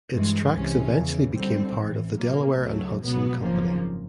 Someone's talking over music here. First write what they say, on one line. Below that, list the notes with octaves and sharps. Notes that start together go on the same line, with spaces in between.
Its tracks eventually became part of the Delaware and Hudson Company.
G2 E3 G#3
C2 C3 E3 G#3 C#4
E2 C#3 E3
D#2 D3 G3 C4
A1 A2 E3
B2 F#3 A#3
D2 C#3 F#3 A3
C#2 B2 F#3 B3
G#1 F#2 C#3 F3 A#3